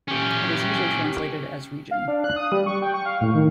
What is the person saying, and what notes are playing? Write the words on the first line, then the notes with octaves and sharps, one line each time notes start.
It is usually translated as "region".
C#4 G4
F5
D4
F#6
D#6
G3
C#6
G5
C#6
F5
A2
D#3